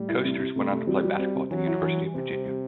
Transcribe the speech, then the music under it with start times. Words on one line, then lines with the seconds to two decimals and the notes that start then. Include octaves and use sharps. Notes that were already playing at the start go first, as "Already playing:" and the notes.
Koesters went on to play basketball at the University of Virginia.
Already playing: A2 G3
0.08 E4
0.24 C3
0.40 C3
0.56 C3 A3
0.72 C3
0.87 F#3 G3
1.03 F#3
1.19 C4
1.35 C3
1.51 E3 F#3
1.67 E4
1.82 E3
1.98 G3
2.14 C3 C4
2.30 G3
2.46 G3